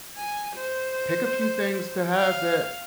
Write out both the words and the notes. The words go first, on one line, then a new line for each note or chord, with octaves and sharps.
pick a few things to have that
G#5
C5
F5